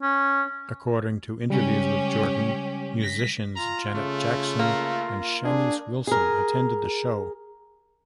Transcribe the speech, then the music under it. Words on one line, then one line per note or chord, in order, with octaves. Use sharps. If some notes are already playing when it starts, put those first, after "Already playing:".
According to interviews with Jordan, musicians Janet Jackson and Shanice Wilson attended the show.
C#4
C#3 G3 G#3 C#4 G4
A#6 B6
F4 A#5
C#3 A3
A#3
D4 G#4
G#4 A#4